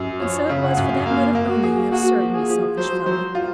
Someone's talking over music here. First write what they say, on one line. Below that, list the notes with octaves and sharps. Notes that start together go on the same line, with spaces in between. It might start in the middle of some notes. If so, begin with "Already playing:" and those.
"And so it was for that motive only you have served me; selfish fellow!"
Already playing: F#2
F3 C#5
C#3
F#5
F#2
A#3 F5
A#3
F#4
G#4
A#3 F#4
F3
G#4
F3
F#3 C5
F#3 C5
F4